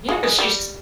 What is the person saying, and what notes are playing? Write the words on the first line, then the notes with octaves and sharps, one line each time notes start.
Yeah, 'cause she's
G#3
G#3
G3